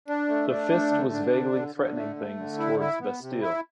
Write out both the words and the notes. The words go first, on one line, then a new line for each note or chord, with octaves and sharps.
The fist was vaguely threatening things towards Bastille.
D4
A3
D4
A3
D3
D4
D3
D3
D3
A3
A3
D3
E4
E4
B3
C3
E4